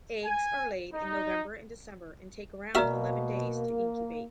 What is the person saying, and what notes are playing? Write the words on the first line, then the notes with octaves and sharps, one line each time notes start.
Eggs are laid in November and December and take around eleven days to incubate.
G#5
D#4
B2 A#3 F#4 D5 E5 A#5 F6